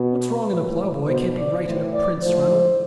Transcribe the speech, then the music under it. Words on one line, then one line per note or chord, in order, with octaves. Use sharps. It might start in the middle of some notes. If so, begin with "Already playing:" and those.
What's wrong in a ploughboy can't be right in a prince, Ranald.
Already playing: B2
B4
A2 E3
B2 C5
D5
A2 E3 C5
D5
A2 F3 C5